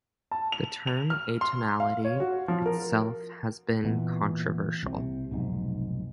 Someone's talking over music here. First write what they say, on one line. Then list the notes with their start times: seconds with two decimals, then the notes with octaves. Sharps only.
The term "atonality" itself has been controversial.
0.31 A5
0.52 F7
0.87 F7
1.10 F6
1.41 C6
1.80 F5
2.05 C#5
2.20 F#4
2.48 F3
2.66 A#4
3.84 A#2 E3 B3
4.83 C2 C3
5.31 F1 B1 G#2